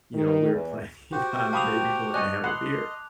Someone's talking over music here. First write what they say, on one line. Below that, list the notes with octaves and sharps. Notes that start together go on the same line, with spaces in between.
you know, we're planning on maybe going to have a beer.
D#3
E2
F#4 G4 C5 G5
F5 A5 B5 D6 D#6 F7
D5 D#5 G#5 C#6 F#6
D#5 F#5 B5 C6